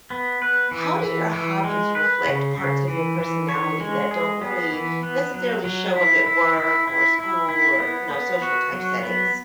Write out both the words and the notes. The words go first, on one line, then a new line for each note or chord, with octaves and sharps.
how do your hobbies reflect parts of your personality that don't really necessarily show up at work or school or, you know, social-type settings?
B3
B4
E3
E3
E3
G#3
B4
C#3
C#3
E3
E3
C#5
G#3
G#4
B3
E3
B3
F#3
F#3
E4
E4
E4
E4
E4
E4
B3
B3
F#4
F#3
B3